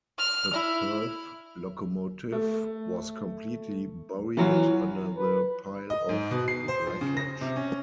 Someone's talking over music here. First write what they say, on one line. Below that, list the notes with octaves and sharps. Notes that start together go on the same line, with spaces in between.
The Perth locomotive was completely buried under the pile of wreckage.
F6
E4
A3
E3 F#3 F4
B4
D#5
G#2
B2
C7
C5
F3
C#3
A#6
C3
C#4